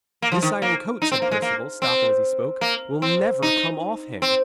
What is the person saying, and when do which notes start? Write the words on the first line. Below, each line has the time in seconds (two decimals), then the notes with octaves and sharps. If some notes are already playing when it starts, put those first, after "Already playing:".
'This iron coat,' said Perceval, stopping as he spoke, 'will never come off him.'
0.22 A#3
0.32 F3
0.42 D#3
0.62 A#3
1.02 D#4
1.12 C4
1.22 A#3
1.31 G#3
1.42 A#3
1.82 C4
2.61 A#3
3.02 C4
3.42 D#4
4.22 C4